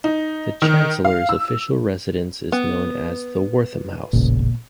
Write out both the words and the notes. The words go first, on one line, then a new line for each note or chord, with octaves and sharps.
The Chancellor's official residence is known as the Wortham House.
D#4
D#3
F5
E6
B3
E1 A1 A#2 C#3